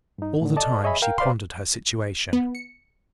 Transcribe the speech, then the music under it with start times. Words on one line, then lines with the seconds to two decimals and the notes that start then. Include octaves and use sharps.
All the time, she pondered her situation.
0.18 G2 D#4
0.42 A2 D3
0.56 A4 D5 D#5 A5
0.83 G#4 C#5 D#5 E5 G#5 B5
1.02 A#4 F5 G5
1.18 B4 C5 D5 F5 B5 C6
2.33 B3
2.55 C#7